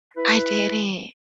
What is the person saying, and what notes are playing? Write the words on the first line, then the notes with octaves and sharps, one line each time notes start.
I didn't.
E4 B4